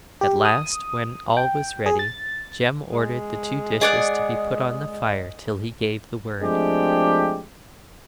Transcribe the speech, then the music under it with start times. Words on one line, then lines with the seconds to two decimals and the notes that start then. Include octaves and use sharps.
At last, when all was ready, Jem ordered the two dishes to be put on the fire till he gave the word.
0.21 G4
0.45 D#6
1.37 G5
1.86 G#4
1.99 A6
2.92 G#3
3.81 G#4 D5 D#5 F#5
6.41 F3 G#3 A3 C4 D4 G4